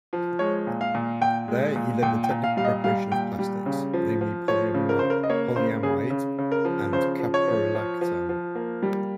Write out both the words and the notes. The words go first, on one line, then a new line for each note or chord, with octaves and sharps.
There he led the technical preparation of plastics, namely polyamide and caprolactam.
F3
G#3 C#5
A#2
F5
A#2
A#2 G5
G#3
A#2
A#2 G5
G5
A#2
F5
G3 F5
D#5
G3 F5
A#2 G5
G3
C#3
F3
F3
F3 C#5
C#3
A#4
C#3 C5
A#4
D#5
A#3 C#5
C#3 C5
C#3 G#4
C#3
C#3
A#4
F3
C#3 C5
F3
C#5
F3
F3
F3
F3
A#3
G3